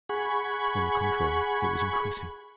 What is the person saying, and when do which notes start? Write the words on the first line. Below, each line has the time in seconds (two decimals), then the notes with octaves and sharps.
On the contrary, it was increasing.
0.09 G#4 F#5 G#5 B5 C#6